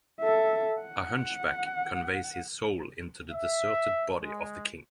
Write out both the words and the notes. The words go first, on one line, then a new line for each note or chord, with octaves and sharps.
A hunchback conveys his soul into the deserted body of the king.
A4 E5
F#5
E5
G#3